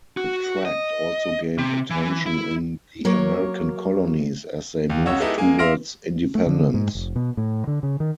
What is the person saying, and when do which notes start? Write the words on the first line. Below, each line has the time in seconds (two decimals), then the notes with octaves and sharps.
The tract also gained attention in the American colonies as they moved towards independence.
0.17 F#4
0.65 D#5
1.58 C3
1.90 E3
2.26 E4
3.05 F#3 A#3 A#4 C#5
4.90 D#2
5.06 C#2 F#4 C#5 E6
5.20 G#3 B3 D#4 E4 G4 A4
5.37 G#3 A#3 G#5
5.59 E5 F5 C6 F6 A#6 D7
6.35 A3
6.47 D3
6.74 G#2
6.95 F1
7.16 B2
7.37 A2
7.67 D3
7.83 C#3
8.00 D#3